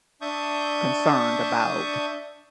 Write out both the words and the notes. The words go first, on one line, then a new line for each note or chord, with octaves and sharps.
concerned about
D4 E5 A5 C#6 D#6 G6